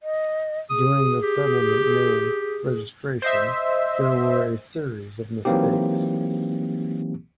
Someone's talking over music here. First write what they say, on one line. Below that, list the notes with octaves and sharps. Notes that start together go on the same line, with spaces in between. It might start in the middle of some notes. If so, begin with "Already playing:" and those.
During the settlement name registration there were a series of mistakes.
D#5
G#4 D#6
G4
C5 D#5 E5
E3 F#3 A#3 C4 D#4 G4